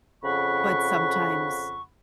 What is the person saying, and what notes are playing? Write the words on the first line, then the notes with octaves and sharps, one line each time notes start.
but sometimes,
F2 C#3 F#5 B5 C#6